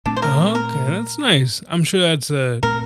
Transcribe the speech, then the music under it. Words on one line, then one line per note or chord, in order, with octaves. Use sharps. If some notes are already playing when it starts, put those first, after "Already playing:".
Okay, that's nice. I'm sure that's, uh,
A#2 A3 C4 D4
C5
A#4
A#4
A#2 A3 C4 A#4